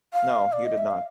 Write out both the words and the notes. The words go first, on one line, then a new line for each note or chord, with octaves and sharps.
No, you did not.
F5
D5
D#5
E5
F5